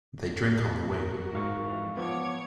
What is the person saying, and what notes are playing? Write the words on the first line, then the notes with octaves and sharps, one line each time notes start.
They drink on the wing.
F#4 A#4
G#2 F5 C#6
F2 E3
F3 B3 C#5 D6 G#6